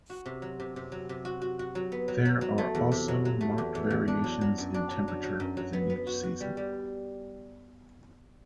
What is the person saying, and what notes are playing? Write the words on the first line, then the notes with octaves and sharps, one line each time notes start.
There are also marked variations in temperature within each season.
F#4
C3
F#3
C3
C3
F#3
C3
F#4
F#4
F#4
F#3
B3
F#3
F#3
F#3
A3
E2
C3
F#3
F#3
A3
E2
E2
E2
D4
F#3
F#3
F#2
D4
F#3
F#3
F#3
F#2
F#3
B3
B3
F#4
F#4
G3
G3